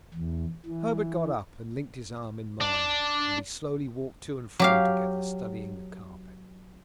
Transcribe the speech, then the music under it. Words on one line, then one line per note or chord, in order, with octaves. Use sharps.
Herbert got up, and linked his arm in mine, and we slowly walked to and fro together, studying the carpet.
E2
E3
D4
F#3 G4 F5